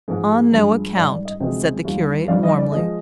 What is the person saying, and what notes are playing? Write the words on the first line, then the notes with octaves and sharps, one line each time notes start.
"On no account," said the curate, warmly.
G#2 F3 G#3
G2 F3 G#3
G#2 D#3 G3 D5 F5
D5
D#5
D2 C3 F3 G#3 D#5 G5
D#2 D#3 G3
F2 D#3 G3 D5 F5
D#5
D5
F3 G#3 D#5